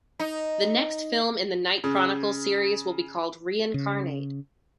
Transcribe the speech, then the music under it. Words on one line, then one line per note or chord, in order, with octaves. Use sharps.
The next film in the Night Chronicles series will be called "Reincarnate".
D#4
C#3
C#3